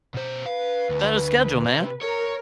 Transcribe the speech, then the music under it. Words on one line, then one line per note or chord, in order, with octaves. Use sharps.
Set a schedule, man.
B2 C5
B4 F5
D2
C3
A#4 C#5